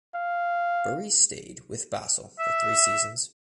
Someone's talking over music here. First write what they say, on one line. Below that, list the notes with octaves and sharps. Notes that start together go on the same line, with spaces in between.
Burri stayed with Basel for three seasons.
F5
E5